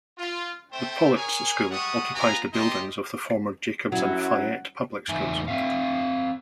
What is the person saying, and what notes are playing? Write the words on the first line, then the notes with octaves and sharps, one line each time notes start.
The Politz School occupies the buildings of the former Jacobs and Fayette Public Schools.
F4
A3 C4 C5 E5 G5
G#4 A#4 C#5 G#5
G3 G#3 F#5 C#6 D#6
B3 F4 G#5 A#5
D#4 G4 D#5 A5 C6
F#2 F#3 E4 F#5
E2 A2 D#4 E5 G#5
C4 E5 F5